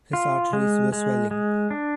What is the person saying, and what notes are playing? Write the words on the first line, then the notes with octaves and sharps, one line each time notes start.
His arteries were swelling.
F4
G#3
G#3
G#3
D4